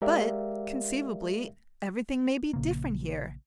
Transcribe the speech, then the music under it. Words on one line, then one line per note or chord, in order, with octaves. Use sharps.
But, conceivably, everything may be different here.
G#3 G4 A#4 D5 E5 F5
A#1 C#3 A#3